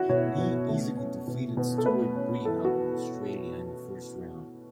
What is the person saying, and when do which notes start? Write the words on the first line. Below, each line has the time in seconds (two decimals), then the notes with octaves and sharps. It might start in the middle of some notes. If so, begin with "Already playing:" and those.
Lee easily defeated Stuart Brehaut of Australia in the first round.
Already playing: C#4 E4 F#4
0.09 B2 C#5
0.38 B2
0.68 A3
0.97 C#4
1.27 B2
1.57 B2
1.78 A4
1.86 A3 B4
2.16 C#4
2.45 E3 A4
2.65 F#4